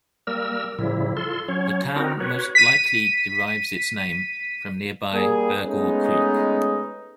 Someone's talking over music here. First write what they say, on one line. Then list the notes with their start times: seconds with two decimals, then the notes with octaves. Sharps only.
The town most likely derives its name from nearby Burgaw Creek.
0.27 G3 A#3 A#4 E6
0.79 A2 C#3 F3 G3 E4
1.17 F4 A4 C6
1.48 F#3 C#4 C#5
1.96 C4 D#4 F#4 A#4
2.20 F#4 B4 C#5
2.55 B6 D#7
5.13 G3 A#3 G#4
5.63 G#3 A3 B3 C#4 D#4